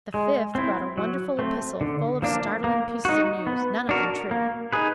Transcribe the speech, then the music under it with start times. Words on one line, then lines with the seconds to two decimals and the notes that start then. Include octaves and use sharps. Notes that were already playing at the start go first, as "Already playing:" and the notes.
The fifth brought a wonderful epistle, full of startling pieces of news, none of them true.
0.14 G#3
0.55 C4 E4
0.98 F#3
1.39 A3 C4
1.81 D3
2.22 F3 A#3 D4
2.64 A#3
3.05 D#4 F#4
3.47 B3
3.89 D4 F#4 A#4
4.31 A#3
4.73 D#4 G#4 B4